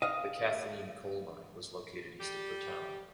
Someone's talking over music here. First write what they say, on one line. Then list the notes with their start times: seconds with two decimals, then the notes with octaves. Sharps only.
The Kathleen Coal Mine was located east of the town.
0.02 D#5 F5
2.20 G3 G4